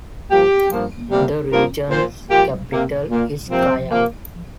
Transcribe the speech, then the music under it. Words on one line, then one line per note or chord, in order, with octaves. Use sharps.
The region's capital is Kaya.
G2 F3 A#3 G4
G2 F3 A#3
C3 G3 A#3
G2 F3 A#3 A#4
A#2 F3 A#3 C5
A#2 F3 A#3 G4
C3 A#3
A#2 A#3
C3 F3 A#3 C4
C3 F3 A#3